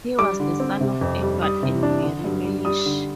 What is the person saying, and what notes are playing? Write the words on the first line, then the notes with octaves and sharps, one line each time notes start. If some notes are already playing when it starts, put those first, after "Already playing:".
He was the son of Edward and Mary Mellish.
G3 D6
D3
C4
C3
F2
G3
G3 D#6
C3
D4
D3
G2
G3
G3 D#6
D3